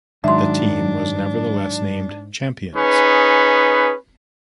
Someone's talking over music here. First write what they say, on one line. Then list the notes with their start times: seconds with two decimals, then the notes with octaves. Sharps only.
The team was nevertheless named champions.
0.24 G#2 D#3 F#3 D4 E5 C6
2.75 C#4 D#4 G#4 B4